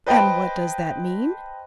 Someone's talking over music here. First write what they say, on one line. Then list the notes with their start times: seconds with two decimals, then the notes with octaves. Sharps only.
And what does that mean?
0.06 B4 C5 D#5 G5 A5